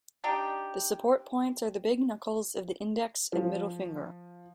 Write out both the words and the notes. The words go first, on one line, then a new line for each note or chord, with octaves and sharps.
The support points are the big knuckles of the index and middle finger.
D4 D#4 G4
F3